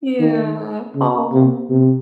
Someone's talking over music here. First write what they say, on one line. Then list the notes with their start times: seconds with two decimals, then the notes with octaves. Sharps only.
Yeah, oh.
0.20 D#3
0.95 C#3
1.32 C3
1.70 C3